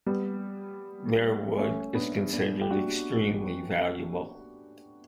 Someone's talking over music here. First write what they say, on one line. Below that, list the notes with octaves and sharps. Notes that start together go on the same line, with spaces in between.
Their wood is considered extremely valuable.
G3 B3
A3 C#4
B3 D4
B3 D4
G4
D4 F#4